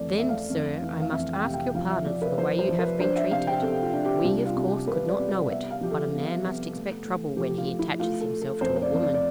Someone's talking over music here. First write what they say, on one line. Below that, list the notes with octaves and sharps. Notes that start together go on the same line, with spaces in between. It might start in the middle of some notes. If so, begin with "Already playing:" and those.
"Then, sir, I must ask your pardon for the way you have been treated. We, of course, could not know it, but a man must expect trouble when he attaches himself to a woman."
Already playing: F2 E3 A3 D5
A3 E5
F5
F2
E3
F5
F2 E5
G5
C3
G5
F3 F5
E5
F3 D5
B4
F3 C5
C5
F3
B4
D4 C5
E5
C3 F5
G5
C3 A4
F4
D4
G4
C2 F4
F4
C3
G4
C2 B4
D5
C2
D5
B3 E5
F5
F3 G4
A4
B3
B3
A3
A3
F3 G4
F4
A3
E4
A3 F4
A4
A3
A4
F2 C5
C5
D5
F2
D5
D5